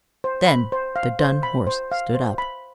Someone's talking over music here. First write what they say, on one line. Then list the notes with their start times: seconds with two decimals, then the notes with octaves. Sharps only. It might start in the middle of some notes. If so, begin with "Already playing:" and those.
Then the dun horse stood up.
0.24 C5
0.48 B5
0.72 C5
0.96 F5
1.20 C5
1.43 B5
1.67 C5
1.92 F5
2.15 C5
2.38 B5